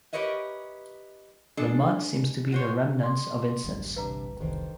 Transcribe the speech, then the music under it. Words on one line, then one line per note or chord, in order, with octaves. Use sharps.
The mud seems to be remnants of incense.
G4 A#4 B4 C#5 D#5 E5
G#3 D4 A4
F#4 C5 C#5
C6 D6
A1 D2 G2
C3 D4 B4 E5 A#5
F1 C2 D3 D#3 C5